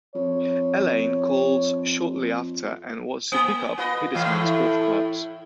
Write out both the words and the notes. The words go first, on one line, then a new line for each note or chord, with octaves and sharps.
Elaine calls shortly after and wants to pick up Peterman's golf clubs.
F2 C#5
A#3
F4 B4 D#5
A2 E3 A3 F5
E4